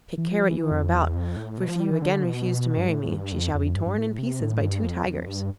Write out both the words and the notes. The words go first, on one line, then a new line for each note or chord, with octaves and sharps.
Take care what you are about, for if you again refuse to marry me she shall be torn in pieces by two tigers.'
E3
F3
E3
F2
E2
F2
A2
B2
F3
G3
E3
D3
B2
G2
A2
G2
F2
F2
G2
G2
A2
C3
A2
G2
F2
F2
G2